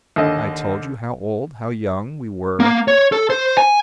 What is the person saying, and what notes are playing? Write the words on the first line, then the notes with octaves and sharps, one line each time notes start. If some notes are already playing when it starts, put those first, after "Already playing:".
I told you how old--how young--we were....
D#2 D3 D#5
A#3
C#5
A4
C5
G#5